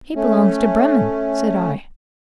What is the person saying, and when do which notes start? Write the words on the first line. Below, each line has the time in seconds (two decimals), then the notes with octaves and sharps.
"He belongs to Bremen," said I.
0.15 A3 C#4